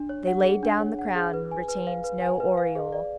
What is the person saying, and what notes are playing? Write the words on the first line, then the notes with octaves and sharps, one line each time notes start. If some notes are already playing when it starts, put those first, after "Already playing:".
They laid down the crown, and retained no aureole.
Already playing: D4
C#5
F#5
G#4
D4
C#5
F#5
G#4
B4
G#5
B4
F5
B4
G#5
B4
F5
G#4
D5